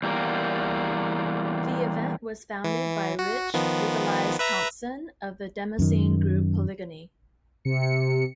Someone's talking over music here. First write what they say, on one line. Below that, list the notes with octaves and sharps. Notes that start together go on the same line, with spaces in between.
The event was founded by Rich "Legalize" Thompson of the demoscene group Polygony.
E2 G3 A#3
E3
F#4
D#3 F3 B3
B4 E5 A#5
F#2 D#3
C3 C#7